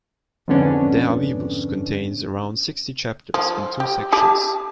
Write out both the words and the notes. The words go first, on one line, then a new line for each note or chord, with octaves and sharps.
"De avibus" contains around sixty chapters in two sections.
F2 G#2 D3 B3 C#4 D4
F3
G4
G4 A5